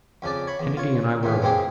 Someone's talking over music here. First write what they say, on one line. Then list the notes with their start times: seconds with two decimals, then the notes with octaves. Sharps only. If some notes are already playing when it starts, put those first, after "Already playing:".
Kennedy and I were alone.
0.22 F2 C#3 D4 D5
0.47 C#5 B5
0.59 E2
0.77 F4 C#5
1.23 A2 C#3 E3
1.42 G#3 A#3 C4 G4 G#4